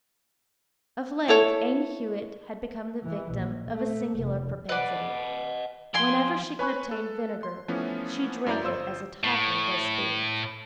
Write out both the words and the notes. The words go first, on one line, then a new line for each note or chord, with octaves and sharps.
Of late Amy Hewett had become the victim of a singular propensity; whenever she could obtain vinegar, she drank it as a toper does spirits.
E4 A4 C#5
E3
A#1
A3
F1
B4 D5 D#5 F#5
F3 G5 G#5 C6
B4 C#5 G#5 B5 C#6 F#6
A4
C6
E3 F3 A3 B3 C#4
F#2 E4 D5 A#5 G6
G1 F4 C5 E6
A2